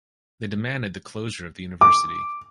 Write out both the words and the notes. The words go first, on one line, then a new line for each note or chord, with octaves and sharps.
They demanded the closure of the university.
D6